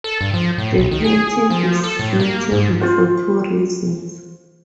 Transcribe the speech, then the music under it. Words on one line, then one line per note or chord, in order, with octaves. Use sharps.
The painting is notable for two reasons.
A4
G2
F3
A2
B1
D#3
G#4
F3
A4
A2
A#3
G#2
F4 C5